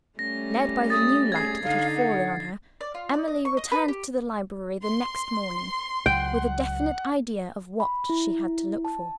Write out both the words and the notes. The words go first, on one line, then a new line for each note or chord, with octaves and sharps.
Led by the new light that had fallen on her, Emily returned to the library the next morning with a definite idea of what she had to look for.
G3 A3 C#4 A#6
D#6 A6
G#4 G#6 C7
D3 D#4 A4 F5
F#5
D5
F4
D5
D#5
C#6
D#5
B4
G4
C6
C#2 F#3 F#5 G5
B5
E4
A5